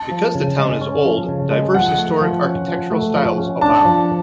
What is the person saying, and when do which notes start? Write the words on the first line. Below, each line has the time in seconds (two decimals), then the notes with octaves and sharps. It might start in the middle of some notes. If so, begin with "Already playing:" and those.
Because the town is old, diverse historic architectural styles abound.
Already playing: A5
0.11 F3
0.35 C#3
0.58 G#3
0.81 C#4
1.05 F3
1.28 C#3
1.51 G#3
1.74 F3 F#5
1.98 A3
2.21 F3
2.45 C#4
2.68 F3
2.91 A3
3.15 F3
3.38 C#4
3.61 D4 A5
3.85 F3